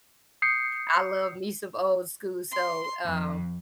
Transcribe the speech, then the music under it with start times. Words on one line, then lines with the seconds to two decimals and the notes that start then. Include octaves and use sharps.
I love me some old school, so, um,
0.42 D#6 G6 C7 C#7
2.50 C6
3.03 F2